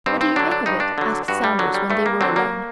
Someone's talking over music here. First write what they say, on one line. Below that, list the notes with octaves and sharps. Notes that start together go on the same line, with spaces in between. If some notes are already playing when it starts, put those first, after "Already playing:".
"What do you make of it?" asked Saunders when they were alone.
G2 C4
C4
D3 F#3 D4
D4
G2 D#4
D4
D3 F#3
G2 F#4
G3
D3 F#3
G3
G2 A3
A#3
D3 F#3 C4
A#3